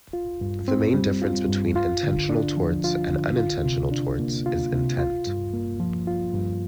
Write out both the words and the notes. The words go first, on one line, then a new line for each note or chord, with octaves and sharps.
The main difference between intentional torts and unintentional torts is intent.
F4
G2
C4
G3
F4
G2
F4
D3
D4
F3
F4
D3
F4
C3
D4
A#3
F4
C3
F4
G2
A#3
F3
F4
G2